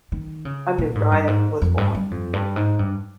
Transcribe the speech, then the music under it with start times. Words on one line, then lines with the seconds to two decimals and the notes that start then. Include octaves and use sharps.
A new Riot was born.
0.12 D#3
0.45 C#3
0.78 A#2
0.95 G#2
1.12 G2
1.28 G#2
1.62 F2
1.78 G2
1.95 G2
2.11 F2
2.33 G2
2.56 G#2
2.79 G2